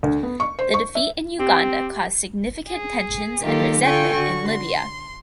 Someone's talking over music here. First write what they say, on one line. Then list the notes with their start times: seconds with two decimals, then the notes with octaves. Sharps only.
The defeat in Uganda caused significant tensions and resentment in Libya.
0.03 D2
0.23 B3
0.40 C#6
0.59 C5
0.74 C#6
0.95 E5
1.39 C4 G4
2.69 G#4
3.41 D#3 F#3 A#3 F4 G4 A4
3.82 D3 F4 A4 G5 G#5 C#6
4.14 D3 F#4 C#6
4.50 C6